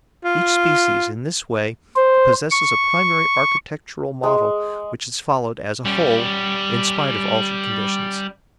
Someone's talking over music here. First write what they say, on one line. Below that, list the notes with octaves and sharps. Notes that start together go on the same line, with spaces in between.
Each species, in this way, possesses a primary architectural model which is followed as a whole, in spite of altered conditions.
F4
C5
C#6
G#3
G3 C#4